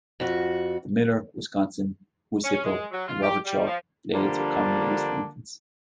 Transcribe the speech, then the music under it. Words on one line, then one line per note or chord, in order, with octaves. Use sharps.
The Miller, Wisconsin, Wis-Hipple, and Robertshaw blades are commonly used for infants.
F2 F#4
C#4
G#3
F#3
F4
G4
G3
F3
D3 F3 G3 A#3 D4